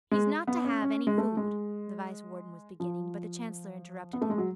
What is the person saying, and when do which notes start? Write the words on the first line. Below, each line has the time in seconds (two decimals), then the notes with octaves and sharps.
"He's not to have any food--" the Vice-warden was beginning, but the Chancellor interrupted him.
0.11 G#3
0.47 B3
0.65 C#4
0.82 C#4
1.07 G#3
1.18 A3
1.37 G#3
2.80 F3
4.13 B3
4.22 A3
4.30 G#3
4.38 F#3